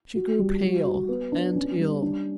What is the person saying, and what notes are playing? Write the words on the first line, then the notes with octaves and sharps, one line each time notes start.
She grew pale and ill.
F#4
G3
F#4
F#4
B3
D4
C#4
G3
D4